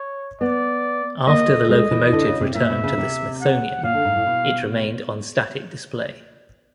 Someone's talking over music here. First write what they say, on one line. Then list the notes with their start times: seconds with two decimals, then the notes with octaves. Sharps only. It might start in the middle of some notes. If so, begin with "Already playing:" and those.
After the locomotive returned to the Smithsonian, it remained on static display.
Already playing: C#5
0.41 B3 D5
1.27 A#3 D#5
1.48 A3
1.69 G#3 D#5
1.91 E3
2.13 D3
2.26 C#3
2.41 C3
2.55 A#2 E5
2.70 B2
2.84 C#3
2.98 C3
3.41 F#5
3.83 A#2 F5
3.94 D3
4.05 G#2
4.16 A2
4.26 B2